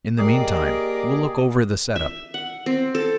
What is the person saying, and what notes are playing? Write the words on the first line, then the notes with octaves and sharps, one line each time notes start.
In the meantime, we'll look over the set-up.
A#3 G4 G#4 D5 D#5
E5
F#5
C4
A4